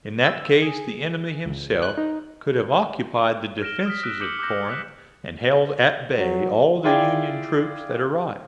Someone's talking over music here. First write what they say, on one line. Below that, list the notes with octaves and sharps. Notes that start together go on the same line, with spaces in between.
In that case the enemy himself could have occupied the defences of Corinth and held at bay all the Union troops that arrived.
E6
G#4
C#2
F#6
D#4
F6 A#6 D7 E7 G7
D#6 F6 B6
E6 F#6 D7
D6 G6 C#7 E7 F#7
D6 E6 F#6 G6 A#6
F#6 B6
F#3
E4 F4 G#4 D5 G5